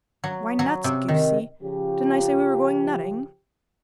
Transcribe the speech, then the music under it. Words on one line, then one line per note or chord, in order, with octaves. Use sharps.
"Why, nuts, goosey; didn't I say we were going nutting?"
F#3
F#3
C3
D#3
C#3 F3 G4